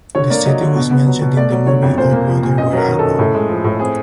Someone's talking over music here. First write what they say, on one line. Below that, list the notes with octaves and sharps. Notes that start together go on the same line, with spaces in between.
The city was mentioned in the movie O Brother, Where Art Thou?
D3 C#5
A#3 D5
F#3 D#5
D3
B2
B3
F#3
B2
A3 D5
F#3
D3 C#5
F2
A#2 C5
A#3
F3
A#2
F#2 D#5
F#3 A#4
D#3
F#2 A4
A2
G#3
F3
A2
C4 G#4